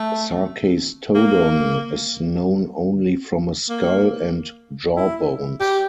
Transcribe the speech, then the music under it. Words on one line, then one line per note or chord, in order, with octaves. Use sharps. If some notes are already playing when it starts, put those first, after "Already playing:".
"Sarkastodon" is known only from a skull and jawbones.
Already playing: A3
A#3
A#3
E4
G4